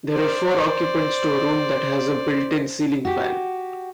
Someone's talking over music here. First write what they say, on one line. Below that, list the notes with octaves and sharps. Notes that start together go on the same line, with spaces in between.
There are four occupants to a room that has a built in ceiling fan.
C5 D5
F#4 G4